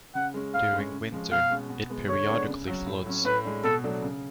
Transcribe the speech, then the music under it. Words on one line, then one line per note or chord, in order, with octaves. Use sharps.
During winter it periodically floods.
C#3 F#5
G#3 C#4
A2 F5
G#3 C#4
C#3
F3 G#3 C#4
B2 F5
G#3 C#4
B2
G#3 B3
D3 C#5
G#3 B3 D4
C#3
F#3 C#4
A2
F#3 C#4
A2 B4
G#3 D4
B2 A4
F#3 A3 D4
C#3